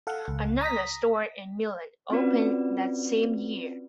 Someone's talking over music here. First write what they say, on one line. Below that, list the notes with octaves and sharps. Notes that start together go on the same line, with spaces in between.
Another store in Milan opened that same year.
A4 F5 F#5
C#2
A#5 D#6 A#6 B6
C4 C#4 F4 F#4 B4 D5